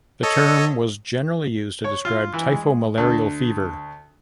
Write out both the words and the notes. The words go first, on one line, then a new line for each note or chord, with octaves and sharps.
The term was generally used to describe Typho-malarial fever.
A4 C#5 D#5
C#5
F4
E3
G#3
D2